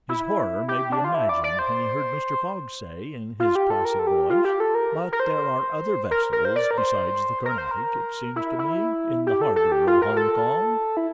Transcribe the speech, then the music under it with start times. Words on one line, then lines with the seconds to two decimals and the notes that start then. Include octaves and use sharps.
His horror may be imagined when he heard Mr. Fogg say, in his placid voice, "But there are other vessels besides the Carnatic, it seems to me, in the harbour of Hong Kong."
0.09 E4
0.68 G4
0.92 D4
1.04 F4
1.14 E4
1.29 D5
1.44 D5
1.59 C5
3.40 F4
3.55 G4
3.70 A4
3.85 A#4
3.99 A4
4.07 G4
4.30 F4
4.45 G4
4.60 A4
4.75 A#4
5.12 A#4
5.20 C5
6.11 A#4
6.33 A#4
6.45 C5
6.56 D5
6.71 A#4
6.78 C5
7.45 A#4
7.58 C5
7.71 A#4
8.36 E4
8.59 E4
9.27 G4
9.41 A4
9.56 A4
9.72 G4
9.87 F4
10.02 A#4
10.16 A4
10.97 E4